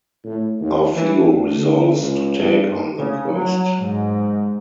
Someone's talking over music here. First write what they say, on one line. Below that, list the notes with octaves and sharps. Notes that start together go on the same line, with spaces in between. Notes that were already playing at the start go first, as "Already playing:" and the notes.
Orfeo resolves to take on the quest.
A2
D#2
E3
E2
D3
C#2
G2
C#3
F#3
G#2